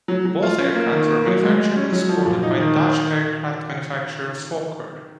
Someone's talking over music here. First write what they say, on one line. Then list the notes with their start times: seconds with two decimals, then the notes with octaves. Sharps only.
Both aircraft were manufactured and supported by Dutch aircraft manufacturer Fokker.
0.08 F#3
0.25 F#3
0.42 F4
0.58 C#4
0.75 A#3
0.92 D#3
1.08 A#3
1.26 F#3
1.43 G#3
1.59 G#3
1.76 C#4
1.92 F#3
2.09 F3
2.25 A#2
2.43 D#4
2.60 D#3
2.76 D#3